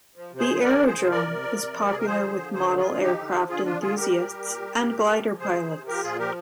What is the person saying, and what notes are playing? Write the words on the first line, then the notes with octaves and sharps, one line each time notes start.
The aerodrome is popular with model aircraft enthusiasts and glider pilots.
F3
C3
G#4 C5
F3
C3 A#4 D5
F3
G#4 C5
C3
F3 A#4 D5
C3
F3
C3
F3
G4
C3 G#4
A#4
F3 G#4 C5
D3
F3
D3 G#4 C5
F3
F4 G#4
D3
F3 D#4 G4
D3
F3
D3 F4 G#4
F3 D4 F4
D3 F4 G#4
G3 G4 A#4
A#2
G3
A#2
G3
A#2
F3
C3
F3
C3 G#4 C5
F3
C3
F3 G4 A#4
A#2 F4 G#4
F3 G4 A#4